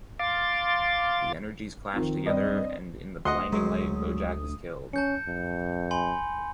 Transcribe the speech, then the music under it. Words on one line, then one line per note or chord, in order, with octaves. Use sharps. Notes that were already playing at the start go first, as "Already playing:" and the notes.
The energies clash together and in the blinding light Bojack is killed.
F5 C6 D6 A6
D#3 F3 C4
G2 C4 D#5
D2 D#5 F#5 C6 D#6
F#2 F#3 G#3 C5
C#4 A5 G6 C#7
F2
G#5 B5 C6